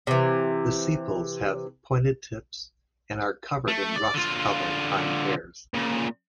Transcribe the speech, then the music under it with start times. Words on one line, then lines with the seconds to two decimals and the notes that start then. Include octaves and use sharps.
The sepals have pointed tips and are covered in rust colored fine hairs.
0.07 C3 E3
3.68 A3
3.96 D5
4.14 D3 F4
5.74 A#2 C#3